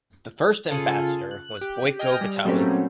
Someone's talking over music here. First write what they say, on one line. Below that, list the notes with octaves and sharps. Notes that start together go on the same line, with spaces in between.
The first ambassador was Boyko Vitaly.
C#3 F4 G#4 A4
F#6
G4
D#5 G5 G#5 F6 A#6
G3
A#2 F#3 G3 A3 C4 C#4